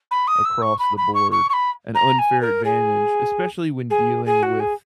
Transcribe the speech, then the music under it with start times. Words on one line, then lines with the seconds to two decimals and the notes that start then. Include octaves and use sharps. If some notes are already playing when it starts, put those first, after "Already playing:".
across the board an unfair advantage, especially when dealing with
0.11 B5
0.27 D#6
0.45 E6
0.62 C#6
0.79 B5
0.97 B5
1.14 C#6
1.31 C#6
1.49 C#6
1.53 B5
1.94 A#5
2.18 G#5
2.41 A#4
2.64 G#4
3.90 G#4
4.25 G#4
4.42 F#4
4.60 G#4